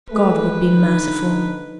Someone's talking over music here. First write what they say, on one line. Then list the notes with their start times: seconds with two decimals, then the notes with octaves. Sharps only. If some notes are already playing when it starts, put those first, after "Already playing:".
God would be merciful.
0.11 G#3 A3 B4
0.69 D3 D#4